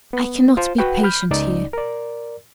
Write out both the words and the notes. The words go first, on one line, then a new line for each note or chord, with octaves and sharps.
I cannot be patient here.
B3
F4 C5
F#4 B4 F#5 G5
B5 F6 G6
C#2 D#4 D5
A#4 D5